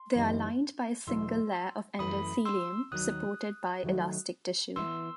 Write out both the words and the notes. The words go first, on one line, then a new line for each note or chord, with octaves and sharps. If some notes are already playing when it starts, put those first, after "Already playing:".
They are lined by a single layer of endothelium supported by elastic tissue.
Already playing: C6
F#2 E3 B3 D#4 G4
E2 B2 F#3 A3 E4 C6 E6
F#2 E3 A3 B5 D#6
C6 E6
D#2 D#3 F#3 D#6 F#6
D#3 F#3 A3
E3 B3 E4 C6 E6